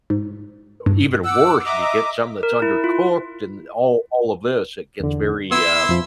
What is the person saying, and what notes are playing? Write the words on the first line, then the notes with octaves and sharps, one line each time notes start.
even worse, if you get something that's undercooked and all all of this, it gets very, uh,
G#2
G2
F#5 D6 E6
D#5 E5 A#5 D6
A#4
E4
F4
E2 D3
B3 E4 C6 E6
F2 F3